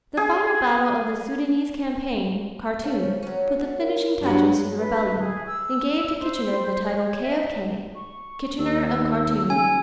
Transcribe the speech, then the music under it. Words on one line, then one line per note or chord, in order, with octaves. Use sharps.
The final battle of the Soudanese campaign, Khartoum, put the finishing touches to the rebellion, and gave to Kitchener the title "K. of K."--Kitchener of Khartoum.
G#4
F3 C#4
F#3 C#4
A#4
G2 F#3 D4 F#4 B4
B4
G#4
E6
C5
C#5
E5
C#6
D#2 E6
C#3 G#5